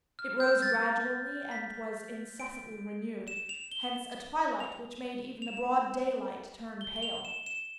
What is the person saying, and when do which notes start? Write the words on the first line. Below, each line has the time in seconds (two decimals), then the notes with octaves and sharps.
It rose gradually and was incessantly renewed; hence a twilight which made even the broad daylight turn pale.
0.19 F6
0.40 G6
0.62 A6
1.51 B6
2.40 D7
3.28 E7
3.49 F7
3.72 G7
4.60 F7
5.42 F7
5.48 E7
6.81 G7
6.96 G7
7.03 F7
7.25 E7
7.46 E7